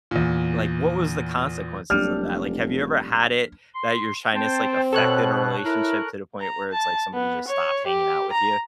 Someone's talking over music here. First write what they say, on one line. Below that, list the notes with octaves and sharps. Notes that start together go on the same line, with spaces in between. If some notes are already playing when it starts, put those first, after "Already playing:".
like, what was the consequences of that? Like, have you ever had it that your shyness, like, affected a relationship to the point where it's like somebody just stopped hanging out with you?
E2 A#2
F1 F#3 G3 A#3 D4 F6
C6
C4 C5 G5 A5
B2 A4 C#5 F#6
E4 A#4
A#5
A5
B3
C#5
G4
A#5